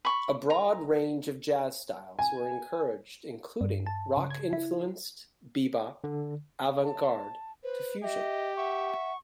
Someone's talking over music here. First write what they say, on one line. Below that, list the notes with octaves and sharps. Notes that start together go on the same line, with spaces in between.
A broad range of jazz styles were encouraged including rock-influenced, bebop, avant-garde to fusion.
B5 C#6
A#5
G#5
G2
A5
C#3
G#6
E4
D3
A5
B4 C5
G4 D#5 E5
E5 F#5 C#6